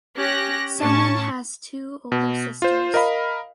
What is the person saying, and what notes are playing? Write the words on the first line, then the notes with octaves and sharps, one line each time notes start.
Somin has two older sisters.
C#4 G4 F#6 A#6
A2 C#4 A5 C#6
B2
F4 C5
A#4 D#5 F5 B5